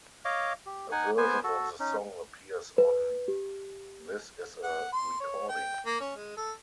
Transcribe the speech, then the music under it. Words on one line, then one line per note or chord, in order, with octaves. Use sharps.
A version of the song appears on "This Is a Recording".
C#5 D#5 F5 D6
G4
D#4 F#5 G#5
B3 C5 G#5
F#4 A4
C#4 D#4
B4
G4
F#5
C6
C#5
G5
A#3
C#4
G#3
A4